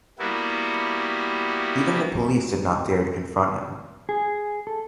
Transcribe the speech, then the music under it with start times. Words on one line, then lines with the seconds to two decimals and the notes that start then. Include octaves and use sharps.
Even the police did not dare to confront him.
0.19 G3 A#3 B3 E4 F#4
4.09 G#4
4.67 A4